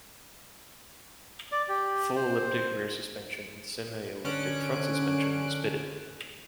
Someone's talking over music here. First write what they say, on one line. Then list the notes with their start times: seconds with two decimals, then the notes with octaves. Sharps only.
Full elliptic rear suspension and semi-elliptic front suspension was fitted.
1.52 D5
1.69 G4
2.16 C5
4.25 D3 C#4 F#6 D7